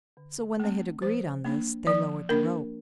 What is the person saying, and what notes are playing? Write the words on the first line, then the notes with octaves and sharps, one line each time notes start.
So when they had agreed on this, they lowered the rope.
D3
A3 C4
F3 C5
A#3 D4
F3 D5
A#3 D4 A#4